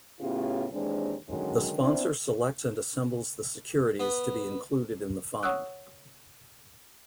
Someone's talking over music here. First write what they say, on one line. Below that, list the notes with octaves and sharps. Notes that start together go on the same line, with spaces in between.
The sponsor selects and assembles the securities to be included in the fund.
A2 C#3 B3 E4 F4 G4
D#2 E3 G#3 C4 D4
D3 D#3 F#3 G#3 C#4 D#4
B3 C4 D4 E4
B3
C#5 F#5 C#6 D#6 E6 F#6